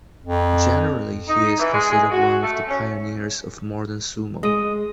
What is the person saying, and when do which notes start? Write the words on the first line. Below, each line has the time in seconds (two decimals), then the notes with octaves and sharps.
Generally he is considered one of the pioneers of modern sumo.
0.25 F2
1.28 D#4
1.59 E3
1.72 G#3
1.90 G#3
2.11 F#4
2.42 A3
2.67 C#4
4.43 G#3 D#5 D#6